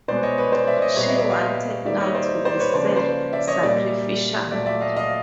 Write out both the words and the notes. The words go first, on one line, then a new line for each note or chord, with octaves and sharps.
She wanted now to be self-sacrificial.
B2 G#3 B3 C5 D5
C#5 D#5
B4 C#5
C5 D5
D5 E5
D5
C#5 D#5
A#2 G3 B3 C#5 D#5
D5 E5
D5 E5
D#5 F5
D#3 G3 A#3 D5 E5
C#5 D#5
C5 D5
C5 D5
B4 C#5
C#3 F3 A#3 C5 D5
B4 C#5
C5 D5
D5 E5
C#5 D#5
A#2 G3 A#3 D5 E5
A#2 F#3 A3 D5 E5
D5 E5
D#5 F5
D#5 F5